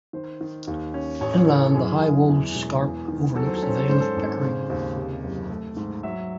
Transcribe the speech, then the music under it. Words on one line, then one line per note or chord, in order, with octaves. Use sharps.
Inland the high Wolds scarp overlooks the Vale of Pickering.
D#3 C5
D#3
D#2
C#4
A1 C#5
E3 A4
F#2 G#4
F#2 G#4
E2
E1
E2
D#3
F#3 A4
C5
A4
C#4
C5
A4
G#2 C5
A4
G#1
C#3 C5
D#2 C5
C3
F#1
A3
G#2
F#3 E5